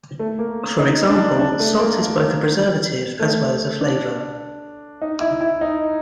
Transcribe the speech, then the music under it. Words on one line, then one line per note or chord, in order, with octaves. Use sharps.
For example, salt is both a preservative as well as a flavor.
A3
A#3
D#4
D4
D4
A3
A#3
A3
A#3
A3
D4
D#4
E4
E4
D#4